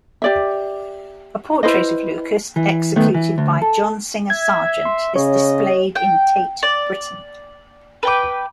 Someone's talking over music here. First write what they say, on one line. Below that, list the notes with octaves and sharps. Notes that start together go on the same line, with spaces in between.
A portrait of Lucas executed by John Singer Sargent is displayed in Tate Britain.
G4 D5 E5
E4 B4 C5 D#5
E3
D#3 A3 B3
E3
D2
A4
E5 G#6
C6
C#3 C#5 D#5
G5
D5
B4 G5 D6